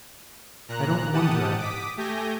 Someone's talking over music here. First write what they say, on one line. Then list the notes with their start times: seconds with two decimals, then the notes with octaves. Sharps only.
I don't wonder at it.
0.68 A#2 A#5 F#6
1.12 G4 F#5 A5 D#6
1.57 D6 D#6 B6
1.97 A3 G4 G#5 G6 A#6